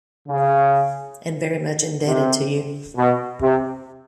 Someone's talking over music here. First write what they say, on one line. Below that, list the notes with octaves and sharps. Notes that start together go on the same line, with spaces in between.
And very much indebted to you.
C#3
C3
B2
C3